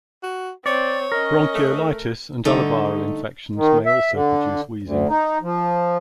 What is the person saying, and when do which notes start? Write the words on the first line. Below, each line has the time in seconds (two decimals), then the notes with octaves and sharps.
Bronchiolitis and other viral infections may also produce wheezing.
0.23 F#4
0.66 C4 C#5 D5
1.12 C#4 A#4 D#5
1.55 A3
2.45 D3 G3 A3 D#4
3.55 D#3
3.86 E5
4.12 D3
4.82 D2
5.09 D#4
5.42 F3